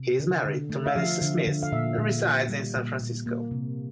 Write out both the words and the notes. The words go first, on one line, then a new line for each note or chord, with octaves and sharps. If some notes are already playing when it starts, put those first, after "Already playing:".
He is married to Melissa Smith and resides in San Francisco.
Already playing: C3
D3
D3
A3
E5
F3 F5
D3
D3
F5
A#2 E5
A#2
A#3
G3
A#2
A#2
A#3
C3